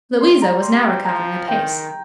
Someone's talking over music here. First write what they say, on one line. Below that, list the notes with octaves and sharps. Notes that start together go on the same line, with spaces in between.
Louisa was now recovering apace.
G3 C6
A#5
C6
G5
F3 A#5
D#3 G5